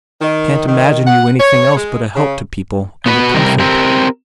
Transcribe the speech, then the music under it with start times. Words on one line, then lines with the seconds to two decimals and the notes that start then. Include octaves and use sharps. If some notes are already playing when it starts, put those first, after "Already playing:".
I can't imagine you anything else but a help to people and a comfort.'
0.21 D#3
0.68 D#3
1.07 F#5
1.40 C#5
1.77 G#3
2.16 C#3
3.06 B3 F#4 B4
3.34 C3 G3 A#4
3.60 C4 G4 A#4